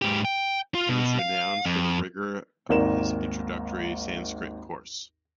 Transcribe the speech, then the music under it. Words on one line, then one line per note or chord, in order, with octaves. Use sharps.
He was renowned for the rigor of his introductory Sanskrit course.
G#2 G4
G5
F4
B2
F5
F2
G#1 D#2 A#4 D5 E7